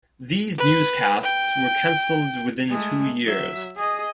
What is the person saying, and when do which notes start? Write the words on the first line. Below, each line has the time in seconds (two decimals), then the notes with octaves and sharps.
These newscasts were cancelled within two years.
0.58 B4
1.23 G5
2.70 G#3 A3
3.24 F#3 E5
3.76 G#4 D#5